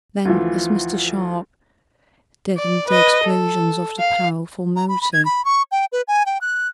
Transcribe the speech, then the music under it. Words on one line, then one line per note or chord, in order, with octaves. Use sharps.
Then, as Mr. Sharp deadened the explosions of the powerful motor.
D2 E3 F3
D5
B4 D#5
A4
F5
A#5
B5
B5
G#6
B5
C#6
G5
B4
G#5
G5
F#6